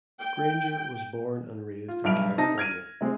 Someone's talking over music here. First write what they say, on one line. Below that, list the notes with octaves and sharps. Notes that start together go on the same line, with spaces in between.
Grainger was born and raised in California.
G5
F4
B1 G2 E5 F6 D7 F7
C3 D#4 A5 A#6
F6 G#6 D7 D#7
C3 G#3 C4